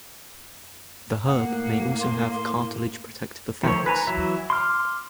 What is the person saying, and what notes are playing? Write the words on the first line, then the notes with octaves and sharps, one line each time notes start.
The herb may also have cartilage protective effects.
A2 A#3 F#5
C6
D#3 F3 A3 C#5
B4 G#5 A#5
E3 F#3 E5
C6 D6 F6